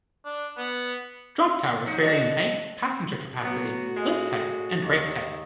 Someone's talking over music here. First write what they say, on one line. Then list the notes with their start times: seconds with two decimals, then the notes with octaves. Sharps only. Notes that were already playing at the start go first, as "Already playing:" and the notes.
Drop towers vary in height, passenger capacity, lift type, and brake type.
0.25 D4
0.58 B3
1.85 F3 D#4
2.02 D4 F#4 A4 D#5
3.43 A2 F#3 B3 F#4 D6
3.96 G#3
4.83 D#2